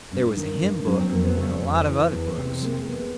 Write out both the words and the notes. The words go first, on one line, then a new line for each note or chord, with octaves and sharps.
There was a hymn book, and a lot of other books.
G2 C#4
D#3 D#4
D4
G2
F#3 C#4
C4
F2 A#3
B3
C#3 A3
F2
E3
E2
C3 A3
G#3 A#3
G#3 B3